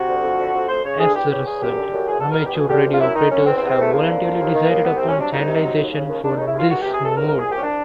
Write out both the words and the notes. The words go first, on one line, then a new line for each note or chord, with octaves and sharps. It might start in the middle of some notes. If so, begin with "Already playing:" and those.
As a result, amateur radio operators have voluntarily decided upon channelization for this mode.
Already playing: C3 F#4
D2
F2
D3
F2
D2 C5
C#3 C#5
D2 G#4
E2 G4
C#3 G4
E2 G#4
F#2 G4
D3
F#2
E2 G#4
B2 A4
A#4
E2
G4
D2 G#4
D3 G4
D2
F4
F#2 E4
D#3 D#4
F#2 C#4
E2 C4
C4
C3 B3
C4
E2 A3
F2 A#3
D3
F2
D#2
D#3
D#2
C2 B3
C3 C4
C#4
F#3 D4
C2 D#4
C3
F#3
D#2
C#3
D#2
D#2 D4
C#3 D#4
E4
D#2 F4
C#2 F#4
C3 G4
G#4
C#2 A4
C2 A#4
A#2 A#4
G#4
C2 G4
C#4
D4